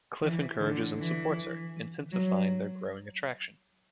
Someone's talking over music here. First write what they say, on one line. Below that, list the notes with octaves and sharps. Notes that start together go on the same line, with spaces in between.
Cliff encourages and supports her, intensifying their growing attraction.
E3
D3
E3
F#3